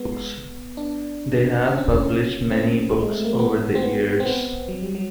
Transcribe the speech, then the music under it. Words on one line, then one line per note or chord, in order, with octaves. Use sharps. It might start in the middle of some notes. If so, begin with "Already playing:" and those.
They have published many books over the years.
Already playing: G#3 B3
D4
C#4
C4
C#4
C4
G#3
A3
A#3
B3
C4
B3
C4
B3
F#3
G3
F#3